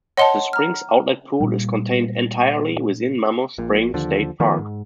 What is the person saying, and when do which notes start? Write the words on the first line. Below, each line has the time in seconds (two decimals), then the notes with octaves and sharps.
The spring's outlet pool is contained entirely within Mammoth Spring State Park.
0.17 C#5 D#5 F#5 A5 C6 G7
0.53 A#5 F6
1.40 A#2 G3
3.58 A#1 A#2
3.94 D#2 D3 F3
4.40 D#3 F3 A3 B3
4.59 G#2